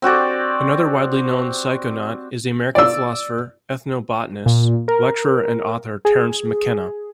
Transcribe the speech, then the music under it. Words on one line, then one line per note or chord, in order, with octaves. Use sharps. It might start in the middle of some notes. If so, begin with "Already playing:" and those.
Another widely known psychonaut is the American philosopher, ethnobotanist, lecturer, and author Terence McKenna.
C4 F#4 G4 D5
D5 E6
A#2
A#4
G#4